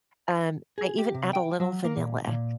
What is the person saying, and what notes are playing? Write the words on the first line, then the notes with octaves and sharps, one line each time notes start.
Um, I even add a little vanilla.
G#4
G4
C3
G5
F#3
A#3
A#2
A#2